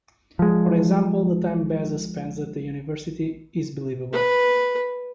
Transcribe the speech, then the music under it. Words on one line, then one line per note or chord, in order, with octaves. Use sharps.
For example the time Besa spends at the university is believable.
F3 G#3
B4